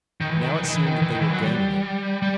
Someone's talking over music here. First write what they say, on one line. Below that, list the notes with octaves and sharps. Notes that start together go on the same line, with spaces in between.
And now it seemed that they were gaining it.
D#3
E3
D#3
E3
D#3
E3
D#3
E3
D#3
E3
F#3
G3
G3